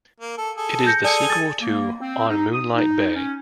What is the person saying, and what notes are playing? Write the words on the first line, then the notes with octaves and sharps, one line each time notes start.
It is the sequel to "On Moonlight Bay".
A#3
A4
G#4 A4
G6 A#6 C#7
G#4 A4 D5 G#5 C#7
A6
A#3
C4
D#4
D#6
D#4
C#4